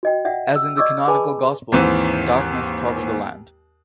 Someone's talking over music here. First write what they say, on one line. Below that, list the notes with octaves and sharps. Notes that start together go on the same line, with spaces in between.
As in the canonical Gospels, darkness covers the land.
F#4 D#5 G5
D5 E5 F#5 G5
E6
D5 D#5 C#6 D6 E6
G#4 B4 G#5 A5 B5 D6
D#2 G#2 E3 C4